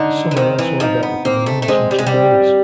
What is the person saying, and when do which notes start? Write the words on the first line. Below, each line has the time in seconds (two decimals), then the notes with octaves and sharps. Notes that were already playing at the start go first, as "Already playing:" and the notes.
Some are also available in English and Chinese.
Already playing: D3 D#4
0.31 E3
0.36 D#3 C4
0.59 E3
0.80 F3 D#4
1.03 B3
1.25 A#3 C4
1.47 A3
1.62 A3
1.68 G#3 C4
1.91 G3
1.98 G#3
2.07 G3
2.14 C4